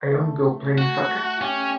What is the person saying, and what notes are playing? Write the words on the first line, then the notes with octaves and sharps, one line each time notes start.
A young girl playing soccer.
A3
F#4
C#4 G4